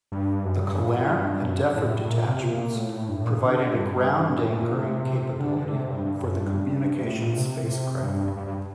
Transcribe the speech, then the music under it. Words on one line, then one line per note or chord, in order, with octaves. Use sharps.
The Colerne and Defford detachments provided a ground anchoring capability for the communications spacecraft.
G2
F#2
G2
A2
A#2
A2
G2
F#2
A2
A#2
C3
A#2
A2
G2
A2
A#2
D3
G2
A2
A#2
C3
D3
D3
C3
G2
G2
F#2
G2
A2
A#2
C3
G2
G2
G2